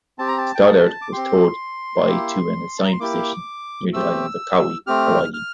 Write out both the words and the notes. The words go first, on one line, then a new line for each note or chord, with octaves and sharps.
"Stoddard" was towed by to an assigned position near the island of Kauai, Hawaii.
C4 G4 A5
A#5
A5
G5
A5
D6
C4 G4 C6
A#3 E4 G4
A5
A#5
C6
A#3 E4 G4 D6
A3 C4 G4 E6
A3 C4 G4 F6
F6